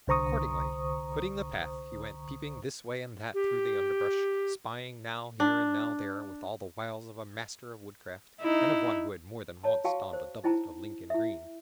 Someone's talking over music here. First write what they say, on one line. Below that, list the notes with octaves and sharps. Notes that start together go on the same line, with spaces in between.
Accordingly, quitting the path, he went peeping this way and that through the underbrush, spying now here and now there, with all the wiles of a master of woodcraft, and of one who had more than once donned a doublet of Lincoln green.
C2 D3 C5 A#5 C#6 D#6
G4
D4
D#4 E4
C#5 A5 A#5
F#4 F5 G5 A5 C#6
C5
D#4 E4 C5 G5 A5 A#5
E4 E5